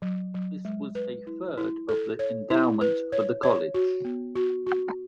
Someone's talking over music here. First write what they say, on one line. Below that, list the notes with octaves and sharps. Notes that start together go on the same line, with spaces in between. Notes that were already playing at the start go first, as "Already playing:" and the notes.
This was a third of the endowment for the college.
F#3
F#3
G#3
B4
E4
E4
A4
C#5
E4
B4
C#5
C#5
F#4
B3
F#4
F#4